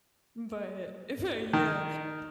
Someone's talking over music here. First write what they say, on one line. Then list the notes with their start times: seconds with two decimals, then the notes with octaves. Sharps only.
but if I Yeah.
1.53 D#3